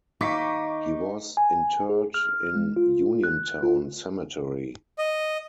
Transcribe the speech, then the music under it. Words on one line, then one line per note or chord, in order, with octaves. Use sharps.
He was interred in Uniontown Cemetery.
D#2 D#4 F5 C#6 D6 B6
G#5
G#4
F6
G#3
F4
F#6
F4
D#5